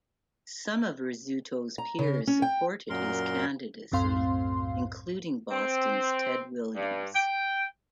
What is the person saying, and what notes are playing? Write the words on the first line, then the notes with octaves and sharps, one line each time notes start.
Some of Rizzuto's peers supported his candidacy, including Boston's Ted Williams.
A#5
C#3
C#4
G5
F#2 A#2 A#4 C6
C2 F#2 A2 C4 F5 C6
C4
G2
G5